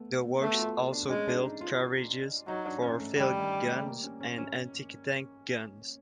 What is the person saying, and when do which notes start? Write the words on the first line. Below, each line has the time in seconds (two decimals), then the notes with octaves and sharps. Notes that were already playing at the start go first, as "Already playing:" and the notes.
The works also built carriages for field guns and anti-tank guns.
Already playing: A3 B3
0.24 B3
0.40 A3 B3
0.52 F#4
0.57 F4
0.93 D4
1.10 G#3 C#4
1.28 D4
1.45 D#4
1.61 F4
2.48 F#3 D#4
2.66 D4
2.82 C#4
3.00 A3
3.17 D#3 G3
3.40 D#3
3.63 A3
3.86 A#3
4.03 C#4
4.20 C#4
4.38 C#4